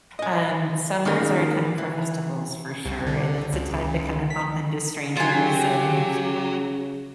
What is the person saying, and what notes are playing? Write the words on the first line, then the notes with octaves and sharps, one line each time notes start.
And summers are a time for festivals for sure, and it's a time to kinda bump into strangers. And
D#5 G#5
D#3 G#3 A#3 C#4 A#4
E3
C2
D3
C#2
B6
C#3 F#3 F4 G4 G#5